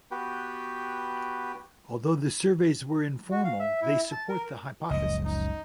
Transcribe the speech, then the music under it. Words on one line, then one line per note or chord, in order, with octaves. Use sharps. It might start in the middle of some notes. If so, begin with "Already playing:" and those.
Although the surveys were informal, they support the hypothesis.
B3 F#4 G4 B4 G5
F#4
F5
E5
E4
A5
A#4
F#1 C#2 F3 D#5
D#4